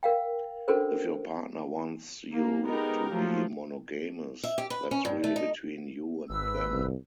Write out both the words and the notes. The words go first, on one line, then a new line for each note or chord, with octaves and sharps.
If your partner wants you to be monogamous, that’s really between you and them.
A#4 F5 G5
C#4 D4 F#4 A4 A#4 C5
A#3
G#3 B3 D#4 G4 A#4
F3 F#3 A3
E5
G4
B4
C#4
G2
A3
D#4
G#1 B4 E6
C2